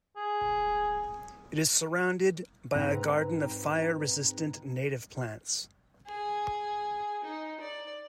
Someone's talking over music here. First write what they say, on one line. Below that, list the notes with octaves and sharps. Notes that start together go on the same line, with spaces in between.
It is surrounded by a garden of fire resistant native plants.
G#4
G#2 C4 B4 A#5
G#4
D#4
D5